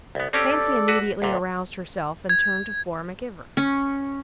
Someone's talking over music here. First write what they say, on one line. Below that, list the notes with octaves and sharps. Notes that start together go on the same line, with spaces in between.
Fancy immediately aroused herself and turned to Flora Mac-Ivor.
C2 B3
C4 C#4 G4 A4 D5
F#4 B4
D2 A#2
G#6
C#4